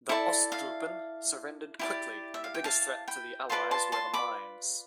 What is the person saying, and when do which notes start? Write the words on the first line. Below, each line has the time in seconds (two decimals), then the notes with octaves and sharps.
The "Osttruppen" surrendered quickly, and the biggest threat to the Allies were the mines.
0.09 E4 A4 D5
0.52 F5
1.79 E4 G4 D5
2.34 E5
2.44 F5
2.54 G5
2.64 F5 A5
3.08 G5 B5
3.49 F4 B4 D5 A5 C6
3.71 A5 C6
3.92 A5 C6
4.14 B5 D6